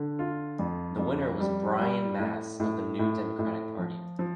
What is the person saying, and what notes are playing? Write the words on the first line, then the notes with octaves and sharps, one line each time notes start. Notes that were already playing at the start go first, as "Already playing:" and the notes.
The winner was Brian Masse of the New Democratic Party.
Already playing: D3
F4
F2
F2
G3
G3
A2
A2
A2
A2
F3
F3